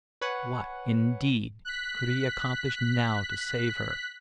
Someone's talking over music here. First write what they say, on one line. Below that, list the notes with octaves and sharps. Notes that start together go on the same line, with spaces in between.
What, indeed, could he accomplish now to save her?
B4 C#5 F#5 G#5
F#6 B6